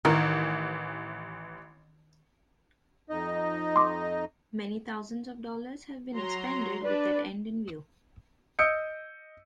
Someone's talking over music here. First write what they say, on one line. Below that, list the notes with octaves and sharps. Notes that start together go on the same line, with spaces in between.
Many thousands of dollars have been expended with that end in view.
A1 D#3 E3
F2 D#4 D#5
C6 D6
F#3 A#5 C6
D4 B4 D5
D#5 D#6 E6 G6 C#7 D7